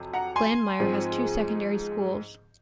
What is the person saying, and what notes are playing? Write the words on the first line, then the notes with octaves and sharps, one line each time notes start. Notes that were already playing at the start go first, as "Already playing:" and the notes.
Glanmire has two secondary schools.
Already playing: F2 C3 F#3
F#5 A#5
G#5 C6
G#2 F3 C4